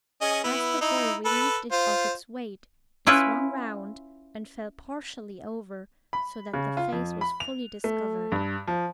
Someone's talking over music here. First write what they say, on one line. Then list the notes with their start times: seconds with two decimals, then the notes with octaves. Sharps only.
As the gull relieved it of its weight, it swung round and fell partially over, so that the face was fully discovered.
0.21 C#4 G#4 D#5
0.44 B3 E4
0.81 D#4 E4
1.25 A4 B4
1.72 F4 C5
3.07 C#4 E4 F4 B4 E5
6.13 B5
6.53 C#3
6.77 F4
6.92 F2
7.21 B5
7.40 F7
7.84 A3
8.32 G2
8.67 F3